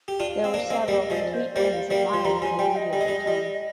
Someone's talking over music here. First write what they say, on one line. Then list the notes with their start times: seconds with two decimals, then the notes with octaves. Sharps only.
There were several complete rings admired for the beauty of their tone.
0.08 G4
0.19 D4 F4 F5
0.44 C4
0.54 A#3 D4
0.70 G#3 C4
0.88 G3 A#3 D#5
1.10 F3 G#3 D5
1.33 C5
1.56 G3 A#3 D5
1.73 F5
1.90 G3 A#3 G5
2.08 C6
2.14 F3
2.25 G3 A#5
2.41 F3 G#5
2.59 G3 G5
2.76 D#5
2.93 G3
3.01 G#3
3.08 G3
3.27 G3